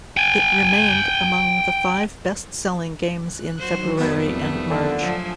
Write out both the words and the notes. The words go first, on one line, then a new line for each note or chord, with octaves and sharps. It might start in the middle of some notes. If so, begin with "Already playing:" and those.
It remained among the five best-selling games in February and March.
G5 G#5
F#6
D#3 F#3 F#4 C5
F2 D#3 G3 A3 B3
D3 D4 F4 D5
F3 F#3 A3 G#5